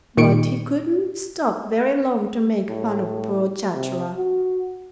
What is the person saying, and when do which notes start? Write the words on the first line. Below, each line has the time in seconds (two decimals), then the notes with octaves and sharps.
But he couldn't stop very long to make fun of poor Chatterer.
0.17 A#2 D#3 C#6 C#7 D7
2.69 A2
3.74 C3
4.17 F#4